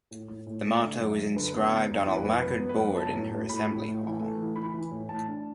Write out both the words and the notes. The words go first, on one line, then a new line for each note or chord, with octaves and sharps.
The motto is inscribed on a lacquered board in her assembly hall.
A2
A2
A2
A3
D5
D3 E5
F#2
F#2
D3 B4
B3
B3
F#2
E3
B4
F#2
B3 B4
B3
B4
F#2
F#3 A5
A2
A2
A2 B5
A2
A2
E3
A3
E3
E3 B5
E3
A2
A2 A5
D4